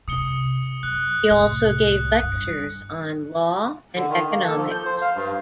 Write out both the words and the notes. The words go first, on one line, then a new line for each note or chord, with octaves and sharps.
He also gave lectures on law and economics.
C3 D#6 C#7 G7
F#2 F#6
C2 A2
G2
D3
D#3
A#3
A4
F3
G6
C5
F5
G2